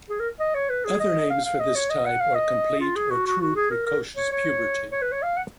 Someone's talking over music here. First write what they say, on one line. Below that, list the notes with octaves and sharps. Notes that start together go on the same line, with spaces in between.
Other names for this type are "complete" or "true precocious" puberty.
G#4
A#4
D#5
C#5
B4
G#4
D#5
F5
F5
D#5
C#5
D#5
F#5
F5
D#5
F4
G#4
F#4
F#4
F#4
G#4
A#4
A#4
C#5
C#5
C#5
B4
C#5
F5
F#5